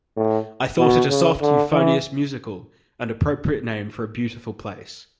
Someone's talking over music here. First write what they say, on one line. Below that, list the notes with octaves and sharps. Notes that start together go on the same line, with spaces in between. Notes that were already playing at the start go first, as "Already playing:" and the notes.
I thought it a soft, euphonious, musical and appropriate name for a beautiful place.
A2
B2
C#3
D3
E3